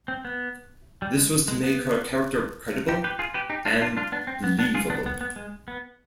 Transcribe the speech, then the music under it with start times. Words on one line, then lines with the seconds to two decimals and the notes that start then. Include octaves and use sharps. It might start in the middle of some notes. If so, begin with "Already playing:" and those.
This was to make her character credible and believable.
0.08 C4
0.25 B3
1.02 G3
1.17 G#3
1.48 G#3
1.64 B3
2.89 D#4 G4
3.04 G4 B4
3.19 F4 G#4
3.34 G4 B4
3.50 D#4 G4
3.65 D4 F4
3.82 D4 F4
3.97 D4 F4
4.12 B3 D4
4.27 C4
4.44 B3
4.59 B3 D4
4.75 F4 G#4
4.90 B3 D4
5.06 B3
5.21 B3
5.36 G#3
5.68 B3